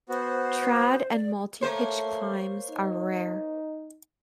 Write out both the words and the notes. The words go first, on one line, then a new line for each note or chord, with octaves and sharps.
Trad and multipitch climbs are rare.
B3 F#4 C5
D5
A3 A#3 C5 C#5
D#4